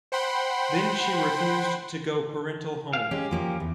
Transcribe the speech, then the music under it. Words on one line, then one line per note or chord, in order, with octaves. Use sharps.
Then she refused to go parental home.
C5 F#5 G5 B5 C6
F5
G#3 C#4 G4
F3 A#3 C#4
E2